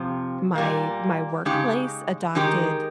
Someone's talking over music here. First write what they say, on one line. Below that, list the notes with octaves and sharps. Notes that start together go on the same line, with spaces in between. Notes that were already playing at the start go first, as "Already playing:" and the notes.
my my workplace adopted
Already playing: F2 C3 F3
A#2 G3 A#3
C#3 G#3 D#4 G4
D#3 G#3 D#4 G4 A#4